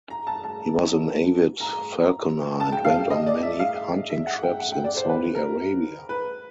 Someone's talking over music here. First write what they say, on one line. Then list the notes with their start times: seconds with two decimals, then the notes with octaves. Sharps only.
He was an avid falconer and went on many hunting trips in Saudi Arabia.
0.10 A#5
0.27 A5
0.44 A5
1.60 A#5
2.60 A5
2.72 G5
2.85 F5
3.10 D#5
3.26 D5
3.43 E5
3.60 F5
4.10 E5
4.27 F#5
4.43 G5
4.60 F#5
4.72 G5
4.84 D5
4.97 C5
5.09 B4
5.35 A#4
6.09 B4